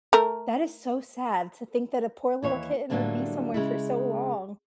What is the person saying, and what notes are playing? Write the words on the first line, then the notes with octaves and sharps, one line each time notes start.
That is so sad to think that a poor little kitten would be somewhere for so long.
A3 A#4
D#2 E3 C#5
A2 D3 F#3 G3 A#3 D4
C#3 G#3 E4